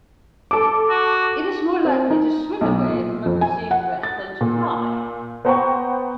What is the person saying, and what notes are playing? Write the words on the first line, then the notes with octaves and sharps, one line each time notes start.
It is more likely to swim away from a perceived threat than to fly.
A4 D6
F#4
C4
D#4
B1
A#2
F2
G#5
F#5
A6
A#2
B3 C5 F#5 G5 A#5 C#6